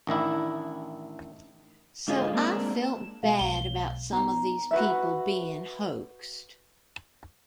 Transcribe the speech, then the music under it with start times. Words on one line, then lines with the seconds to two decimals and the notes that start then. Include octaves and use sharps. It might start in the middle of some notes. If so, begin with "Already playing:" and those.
So I felt bad about some of these people being hoaxed.
0.07 A1 D#3 D4 E4
2.08 G#2 D3 F4 G#4 D#5
2.34 G#3 A#3 C4 D4 A#4
2.82 E7
3.23 B2 G#3 F5
3.39 B1 B2 G7
4.12 B3 D#4 A#5
4.71 F#4 B4 E5